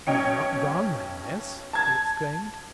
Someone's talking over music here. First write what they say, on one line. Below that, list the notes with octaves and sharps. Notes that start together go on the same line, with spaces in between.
"You've not gone, then, miss?" he exclaimed.
B1 C#4 C#5 D#5 G5 C#7
A5 G#6